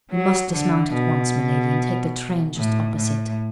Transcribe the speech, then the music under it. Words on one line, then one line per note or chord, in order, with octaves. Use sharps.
You must dismount at once, miladi, and take the train just opposite.'
F#3
D3
B2
A2
A2